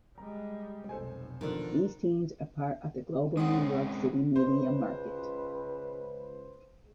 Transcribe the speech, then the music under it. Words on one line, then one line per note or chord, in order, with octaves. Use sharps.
These teams are part of the global New York City media market.
G3 G#3 A#5
F1 B1 A4 C5 G#5
D3 D#3 F3 B3 D4
G#3 C4 C#4 F#5 D#6
C#2 B4 C5